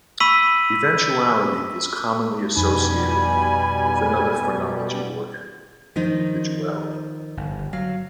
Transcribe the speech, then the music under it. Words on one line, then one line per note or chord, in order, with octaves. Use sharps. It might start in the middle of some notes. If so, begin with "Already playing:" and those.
Eventuality is commonly associated with another phrenology organ, Individuality.
B5 C#6 E6 B6 D#7 F#7
F2 B2 G3 D#4 G#5 B5
D#3 F3 D#4
G1
F#3 F5